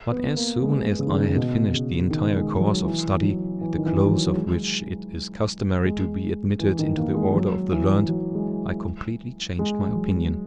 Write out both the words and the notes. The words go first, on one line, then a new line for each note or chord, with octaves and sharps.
But as soon as I had finished the entire course of study, at the close of which it is customary to be admitted into the order of the learned, I completely changed my opinion.
B3
A#3
G#3
C#3
D#3
C#3
B2
C#3
D#3
G#3
F#3
E3
F#3
E3
D#3
E3
F#3
F#3
G#3
G#3
E3
D#3
A#3
G#3
F#3
E3
F#3
G#3
G#3
F#3